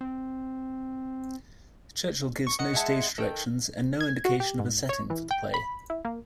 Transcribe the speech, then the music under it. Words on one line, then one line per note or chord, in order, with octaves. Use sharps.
Churchill gives no stage directions and no indication of a setting for the play.
C4
C#6
D#3 D#5 F#5 C#7
G#3 E4 A5
D#3 A4 G5
G#6
F#4
G4
G#2
C#5
E3
G5
B5
E4
A#3